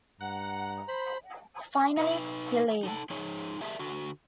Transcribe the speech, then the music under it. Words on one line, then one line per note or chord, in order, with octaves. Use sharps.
Finally he leaves.
G2 F#5 A#5
C5 B5
D#4 B4
D#4 A4 A5
F3 D#4 G#4 C#5
G4 G#4 A#4 D5 E5 A5
D3 F#4